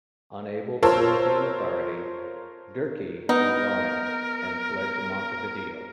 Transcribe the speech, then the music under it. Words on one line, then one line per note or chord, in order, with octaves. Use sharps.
Unable to maintain authority, Derqui resigned and fled to Montevideo.
F4 A#4 C5 C#5 A5 E6
B3 D#4 A#4